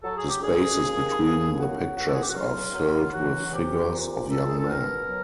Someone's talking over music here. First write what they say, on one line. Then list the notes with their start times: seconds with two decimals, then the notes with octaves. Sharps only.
The spaces between the pictures are filled with figures of young men.
0.03 F#3 A4
0.16 G#4
0.28 G4
0.41 D2 G#4
0.81 D#2
1.20 D#2
1.58 F#3 F#4
1.96 C#2 F#4
2.05 A4
2.12 G#4
2.21 G4
2.27 F#4
2.35 F#3 F4
2.74 F#3
3.13 E3 F#4
3.52 C3 G4
3.91 A#2
4.29 A#2 A4
4.46 G#4
4.57 A4
4.68 B2 A#4
5.07 F#3